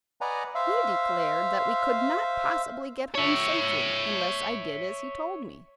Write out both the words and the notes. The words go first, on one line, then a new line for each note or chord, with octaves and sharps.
He declared that we could not possibly get home safely unless I did as he told me.'
B4 D5 D#5 F#5 G#5 A#5
C5 E5 F5 E6
C#5 E5